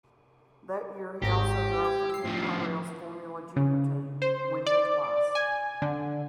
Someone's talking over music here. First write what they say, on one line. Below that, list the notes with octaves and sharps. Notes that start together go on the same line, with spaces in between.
That year he also drove for Ken Tyrrell's Formula Junior team, winning twice.
G#1 G#2 G4 A#6
G#6
E6 C7
A2 F3
C#3
C5
D5
G#5
D3